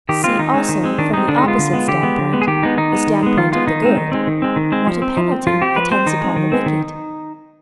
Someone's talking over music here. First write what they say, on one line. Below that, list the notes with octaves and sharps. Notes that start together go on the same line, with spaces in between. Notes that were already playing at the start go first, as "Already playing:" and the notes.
'See, also, from the opposite standpoint--the standpoint of the good--what a penalty attends upon the wicked.
D#3 G4
G#3 C4 F4
D#3 D#4
G#3 C4
D#3
G#3 C4
D#3 D4
G#3 C4 D#4
D3 D4
D#4
G#3 B3 F4
D3
G#3 B3
D3 G4
G#3 B3
D3
G#3 B3
G#4
D#3 G4
G#3 B3 D#4
D#3 D#4
G#3 B3
D#3
G#3 B3
D#3 F4
G#3 B3 F4
D#3 D#4
G#3 C4
D#3
G#3 C4
D#3
G#3 C4
D#3
G#3 C4
F3
C4
F3
C4
F3 F4
C4 G4
F3 B4
C4 C5
D#3 D#4
G#3 C4
D#3
G#3 C4
D#3